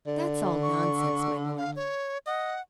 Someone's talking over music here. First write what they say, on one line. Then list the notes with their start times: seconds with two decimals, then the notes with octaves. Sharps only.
"That's all nonsense, my lord."
0.07 D3
0.63 C#6
1.58 F5
1.76 C#5
2.27 D#5 F#5